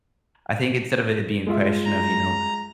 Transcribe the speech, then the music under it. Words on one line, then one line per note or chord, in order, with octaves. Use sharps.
I think instead of it being a question of, you know
G#3 F4 E5
A#5